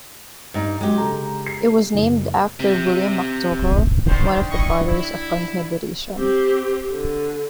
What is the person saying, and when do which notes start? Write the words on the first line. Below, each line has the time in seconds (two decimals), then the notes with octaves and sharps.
It was named after William McDougall, one of the Fathers of Confederation.
0.54 G2 D#4
0.81 F#3 G#3 G4
0.98 C#3 A4 A#5
1.46 C7
1.95 F#1
2.60 C3
4.07 D3 D#3 C5
4.49 E4 D#5 C#6
4.88 E4
6.16 C4 G4
6.91 D3